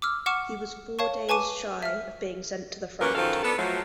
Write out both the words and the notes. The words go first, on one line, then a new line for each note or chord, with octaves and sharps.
He was four days shy of being sent to the front.
D6 E6 F6
F#5 C#6 D6 F6 E7
C#5 F5 A5 C#6
B4 G#5 A5 C#6 D6 D#7
E5 F6
F#2 A#2 C#4 G4 A#4 B4
F#2 D#3 F3 F#4 A4 F5
B3 D4 A4
F3 F#3 A3